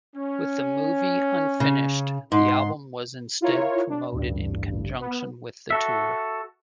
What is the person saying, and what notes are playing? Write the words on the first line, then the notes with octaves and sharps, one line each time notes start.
With the movie unfinished, the album was instead promoted in conjunction with the tour.
C#4
C#3
G#2 D#4 C6
E4 F4 A#4 C#5
D4
A1 D2 G2
B3
F#4 A4 E5